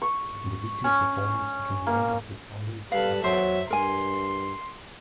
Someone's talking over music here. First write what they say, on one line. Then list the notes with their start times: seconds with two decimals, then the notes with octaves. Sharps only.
The weekly performance became known as the "Sunday Sing Song".
0.02 C#6
0.84 C#4
1.87 A#3
2.92 G3 A4 B4 F5
3.24 F#3 C5 E5
3.70 G2 A#4 G#5 C6